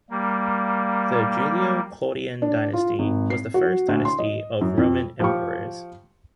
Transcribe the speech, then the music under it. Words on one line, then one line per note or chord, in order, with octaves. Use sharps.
The Julio-Claudian dynasty was the first dynasty of Roman emperors.
G3 A#3
D4
F4
G#1
C7
F#4
D2
C6
D#5
F#2
F2
F3 G4 C#6